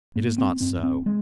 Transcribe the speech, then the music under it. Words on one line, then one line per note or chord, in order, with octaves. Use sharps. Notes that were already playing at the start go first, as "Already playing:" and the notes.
It is not so.
G#2 A#3
C4
G2 C4
C4
G#3